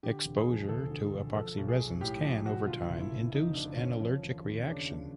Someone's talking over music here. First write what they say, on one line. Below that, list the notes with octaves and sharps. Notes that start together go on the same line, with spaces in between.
Exposure to epoxy resins can, over time, induce an allergic reaction.
D3 G4
E1
G#4
F3
D2 A4
D3
E1
F3 A4
B1
G#4
B1
A2 G4
F3 G4
B1 F#4
D3 F4
F#1
E4
F#1
F2 D#4
D3 D4
F#1 C#4
F3 C#4
D#2
D#2
C#4
C#3 D4
F3